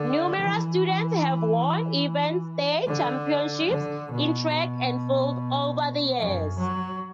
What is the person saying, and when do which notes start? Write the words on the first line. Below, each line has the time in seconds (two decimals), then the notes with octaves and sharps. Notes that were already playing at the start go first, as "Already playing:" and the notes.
Numerous students have won event state championships in track and field over the years.
Already playing: D3
0.39 E3
2.87 D3
3.70 D3
4.11 B2
4.53 B2
6.19 F#2
6.59 F#3